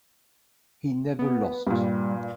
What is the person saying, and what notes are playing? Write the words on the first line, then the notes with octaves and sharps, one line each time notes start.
He never lost.
B3
G2 A#2 G3